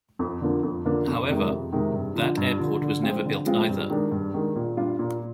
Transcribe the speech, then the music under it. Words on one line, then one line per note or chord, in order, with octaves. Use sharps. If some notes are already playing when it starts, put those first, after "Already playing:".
However, that airport was never built either.
F2
D3 F3 A#3 D4
F2
D3 F3 A#3 D4
F2
C3 D#3 G#3
F2
C3 D#3 G#3
G2
D3 F3
G2
D3 F3
D3
F3 G#3 C4 F4
D3
F3 G#3 C4 F4
G2
D#3 G#3 D4
G2
D#3 G#3 D4
A#2
G3 D4 F4
A#2